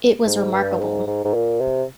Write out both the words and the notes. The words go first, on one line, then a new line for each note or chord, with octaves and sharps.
It was remarkable.
G#2
G2
G#2
G#2
G#2
A#2
C3